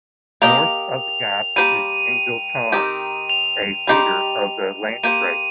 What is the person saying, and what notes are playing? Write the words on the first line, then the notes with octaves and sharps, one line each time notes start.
North of the gap is Angle Tarn, a feeder of the Langstrath.
A#3 G4 D#5 F7
G3 A#3 G4 C5 D#7
D#3 C4 D#4 G4
F7
G3 D#4 G4 C5
A#3 G4 C5 D#7